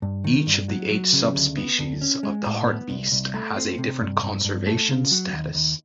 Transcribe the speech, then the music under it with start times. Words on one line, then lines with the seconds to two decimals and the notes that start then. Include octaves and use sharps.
Each of the eight subspecies of the hartebeest has a different conservation status.
0.02 G2
0.24 D#3
0.47 G2
0.68 F#3
0.91 F#3
1.13 C#3
1.35 D2
1.57 B3
1.79 D2
2.01 C#4
2.23 G#3
2.46 A2
2.67 B3
2.89 C2
3.12 C2
3.34 A3
3.56 C4
3.78 C3
4.00 G2
4.22 G2
4.44 G2
4.66 A3
4.89 C#3
5.11 F#3
5.33 D#2
5.55 D#2